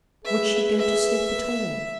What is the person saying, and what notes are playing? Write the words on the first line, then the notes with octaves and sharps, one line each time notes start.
Would she go to sleep at all?
G#4 B4 E5
E5